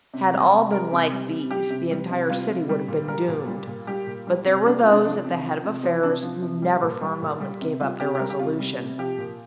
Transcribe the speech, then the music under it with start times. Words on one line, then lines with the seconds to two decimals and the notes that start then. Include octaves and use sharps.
Had all been like these the entire city would have been doomed, but there were those at the head of affairs who never for a moment gave up their resolution.
0.14 C3
0.33 G3
0.53 C3
0.72 G3 A#4
0.92 C3
1.12 G3
1.32 C3
1.51 G3 G4
1.70 C3
1.91 G3
2.10 C3
2.30 G3 F4
2.49 C3
2.69 G3
2.88 A#2
3.08 G3 A#4
3.28 A#2
3.47 G3
3.67 A#2
3.87 G3 G4
4.07 A#2
4.27 G3
4.46 C3
4.65 G3 D4
4.79 F4
4.85 C3
4.92 D4
5.05 F3 D4
5.25 C3
5.45 F3
5.63 C3
5.83 F3 C4
6.03 C3 D4
6.23 F3
6.42 C3
6.62 G3
6.83 A#2
7.01 G3
7.22 A#2
7.40 G3
7.61 C3
7.80 G3 F4
8.00 C3 G4
8.15 G4
8.19 G3 A#4
8.30 G4
8.39 C3 F4
8.59 G3
8.78 C3
8.98 F3 G4
9.18 A#2